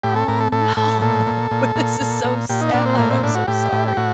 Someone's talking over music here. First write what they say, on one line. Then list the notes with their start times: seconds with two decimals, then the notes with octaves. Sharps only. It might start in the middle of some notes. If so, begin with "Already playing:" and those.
Oh, no, this is so sad, I'm so sorry.
0.03 A2 G4
0.16 A4
0.28 A2 A#4
0.40 A4
0.52 A2 A4
0.77 A2 A4
1.01 A#2 A4
1.27 A#2
1.51 A#2
1.76 A#2
2.01 A#2
2.24 A#2
2.50 A#2 G4
2.61 D#4
2.73 A#2 D4
2.86 C4
2.98 A2 A#3
3.11 C4
3.23 A2 D4
3.35 F#4
3.47 A2 G4
3.72 A2
3.88 G4
3.97 A2 F#4